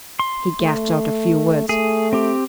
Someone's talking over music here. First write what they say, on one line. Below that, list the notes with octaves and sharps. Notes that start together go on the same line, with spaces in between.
He gasped out a few words.
C6
A3
A3 G#4
C4 G4